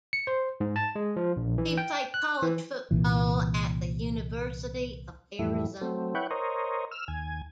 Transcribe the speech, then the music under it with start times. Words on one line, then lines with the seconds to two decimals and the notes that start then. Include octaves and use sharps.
He played college football at the University of Arizona.
0.13 C#7
0.27 C5
0.60 G#2
0.76 A5
0.96 G#3
1.16 F3
1.37 A#1
1.58 E3
1.78 G5
2.14 F#6
2.42 E3
2.91 C2 A#2 E3
5.39 F2 A2 E3 G3 A3 E4
5.81 F#3 A3 C4
6.15 E4 B4 C#5 F#5 G5
6.31 A#4 C5 C#5 D#5
6.91 E6 F6
7.08 D#2 G#5